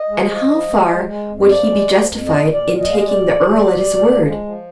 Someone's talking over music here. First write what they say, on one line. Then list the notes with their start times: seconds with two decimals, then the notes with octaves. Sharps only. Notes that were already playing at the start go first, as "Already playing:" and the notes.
And how far would he be justified in taking the earl at his word?
Already playing: D#5
0.09 G#3
0.29 F3
0.49 F3
0.68 G#3
0.88 G#3
1.07 G#3
1.28 F2
1.47 F3 D5
1.68 G#3
1.87 F3
2.07 F2
2.27 A#2 D#5
2.47 A#2
2.53 D5
2.66 A#2
2.80 D#5
2.86 G#3 F5
2.98 D#5
3.06 A#2 D5
3.26 A#2
3.46 F3
3.65 A#2
3.85 A#2
4.05 F3
4.25 G#3
4.45 F3